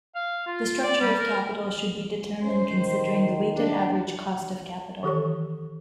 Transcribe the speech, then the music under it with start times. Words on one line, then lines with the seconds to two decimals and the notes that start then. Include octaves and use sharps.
The structure of capital should be determined considering the weighted average cost of capital.
0.15 F5
0.47 F4
0.82 D5
1.01 G3
1.19 A#4
2.43 C#4 C5
2.72 D#3
3.58 D4
5.03 D#3 E3 G4 A4 C#5 C#6